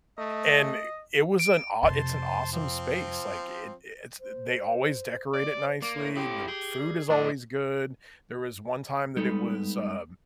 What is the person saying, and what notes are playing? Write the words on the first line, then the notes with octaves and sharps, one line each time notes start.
And it was an awe it's an awesome space. Like, it it's they always decorate it nicely. The food is always good. There was one time that it was, uh,
A3 D#5
D7
F2 C3 C5 A5
F3 C4
C5
D5
C5
A#3 D5
A2
E4 G4
G4 G#4
G3
A2 D4 D#5
G3 G#3 B3 D#4 A4